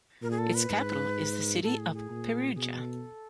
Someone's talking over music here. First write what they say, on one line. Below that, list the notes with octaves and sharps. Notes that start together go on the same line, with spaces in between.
Its capital is the city of Perugia.
A#2 A#4
G#4
A4
B4
G#2
A2 A4
G#4
G#4
A#2
B2 G#4
A4